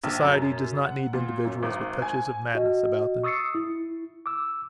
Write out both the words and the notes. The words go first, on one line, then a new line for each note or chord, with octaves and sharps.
Society does not need individuals with touches of madness about them.
A#1
F#2
F#5
A#2
F#2
G#1
G#5
F#4 D#5
C#6 D#6 E6 A6 C7 C#7
E4
D6 E6